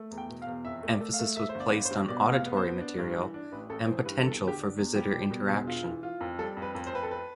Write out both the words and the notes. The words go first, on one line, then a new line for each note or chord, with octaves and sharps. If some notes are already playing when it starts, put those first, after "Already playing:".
Emphasis was placed on auditory material and potential for visitor interaction.
Already playing: A3
E2
G5
B2
F5
E2
F2 E5
A3
D5
A3
F5
A3
A3 E5
C5
G1
D5
G1
C5
G2
B2 D5
F1
F5
B3
C5
B3
D4
G2
E3
D4
A1 B4
A1 A4
E3 C5
G2 B4
E2 A4
D3
G4
D4
E2
G3 G4
G3
B2
E1
F4
E3
F4
F2
G3 A4
F2
B4
F2
C5
F2 B4
A4
B4